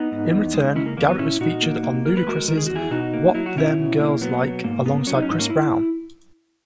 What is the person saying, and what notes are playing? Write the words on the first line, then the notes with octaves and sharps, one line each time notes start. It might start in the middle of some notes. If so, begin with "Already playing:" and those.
In return, Garrett was featured on Ludacris's "What Them Girls Like", alongside Chris Brown.
Already playing: B3 D#4
G#2
E2
G#3
C#3 C#4 E4
A#3
E2 A#3
B3
A#2 C#4 E4
A#2 D#4 F#4
A#3
A#3
E2 A#4
B4
G#3 F#4 A#4
D#3 A#4
G#4
E2 F#4
E4 G#4
B2 D#4 F#4
A#3
F#3 E4
F#4
B2 C#4 E4
B2
A#3
F#3 B3
B2
G#2 A#3
A#3 B3
F#3 C#4
D#4
C#4
G#2 D#4
A#3 C#4
E4